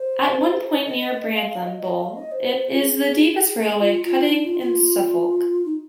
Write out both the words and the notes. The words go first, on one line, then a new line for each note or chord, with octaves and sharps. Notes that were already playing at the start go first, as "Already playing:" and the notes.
At one point near Brantham Bull it is the deepest railway cutting in Suffolk.
Already playing: C5
D#5
F5
F5
D#5
D#5
F5
D#5
C5
F4
G#4
F4
F4
D#4
F4
F4
D#4